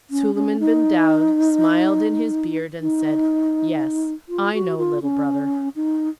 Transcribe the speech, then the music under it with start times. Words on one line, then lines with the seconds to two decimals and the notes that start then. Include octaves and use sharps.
Suleiman-bin-Daoud smiled in his beard and said, 'Yes, I know, little brother.
0.10 C#4
0.35 C#4
0.60 D#4
2.81 D#4
4.29 F4
4.53 F#4
4.78 F4
5.03 C#4
5.76 D#4